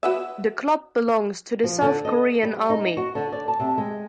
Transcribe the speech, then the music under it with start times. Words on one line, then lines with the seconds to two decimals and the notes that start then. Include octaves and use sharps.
The club belongs to the South Korean Army.
0.03 F#4 B4 E5
1.64 F3
1.82 D3
2.05 D#5
2.43 G3
2.70 D#4
2.97 F#4
3.15 D3
3.32 D5
3.48 A5
3.60 C3
3.78 G#3